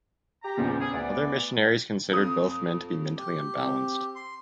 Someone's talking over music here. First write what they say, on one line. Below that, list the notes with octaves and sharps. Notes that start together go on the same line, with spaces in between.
Other missionaries considered both men to be "mentally unbalanced".
G4 A#5
E2 G2 A#2 C#3 F3 G3
C4 C#4 G#4
D2 B3 D5
F2 D#6
G4
C4
C6